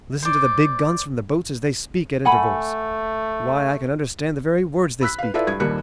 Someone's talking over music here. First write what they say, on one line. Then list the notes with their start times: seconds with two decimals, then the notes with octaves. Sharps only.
Listen to the big guns from the boats as they speak at intervals! Why, I can understand the very words they speak!
0.22 C5 D5
2.25 A3 F#5 G#5 B5
5.01 B5 E6 F#6 B6
5.19 B4 F5
5.34 E4 F4 A4 B4 D5 E5
5.47 G2 G#6
5.60 D#1 D#2 G3 A#3 F#6 C#7